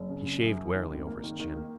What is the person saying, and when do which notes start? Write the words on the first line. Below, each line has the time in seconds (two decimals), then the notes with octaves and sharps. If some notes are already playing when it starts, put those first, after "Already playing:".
He shaved warily over his chin.
Already playing: F#1
0.09 C#3
0.25 C#3
0.42 F#2
0.58 F#2
0.74 D#3
0.91 G#1
1.07 A#3
1.24 D#3
1.39 D#3
1.56 A#3